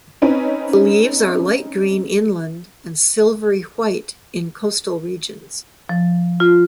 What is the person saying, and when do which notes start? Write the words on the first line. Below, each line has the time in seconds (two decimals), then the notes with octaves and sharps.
The leaves are light green inland, and silvery-white in coastal regions.
0.22 C4 C#4 D#4 B4
5.89 F3
6.40 F4